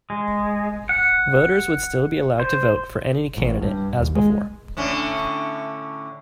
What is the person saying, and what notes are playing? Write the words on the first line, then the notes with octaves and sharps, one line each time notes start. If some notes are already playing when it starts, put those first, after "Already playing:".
Voters would still be allowed to vote for any candidate as before.
G#3
F#5
C5
A1
G2
D#2
G#3
A2 D3 C#4